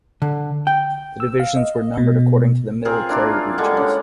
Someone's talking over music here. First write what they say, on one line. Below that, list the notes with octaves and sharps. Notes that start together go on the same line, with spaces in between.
The divisions were numbered according to the military regions.
D3
G5
E6
F5
D#5
B2
C4 F4 G#4 A#4
A#3 D4 E4 F4
D3 G3 G#3
C#4